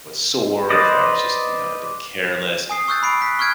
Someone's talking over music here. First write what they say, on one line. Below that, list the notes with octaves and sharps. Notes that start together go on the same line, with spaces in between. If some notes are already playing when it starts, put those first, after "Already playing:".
was sore, if I was just, you know, a bit careless,
B4 C5 D5 D#5
G#5 D#6 C7
G#5 C#6 E6 F#6 G6 A6
B5 C7 D7
F#6 B6
C#6 F6 F#6 G#6 D7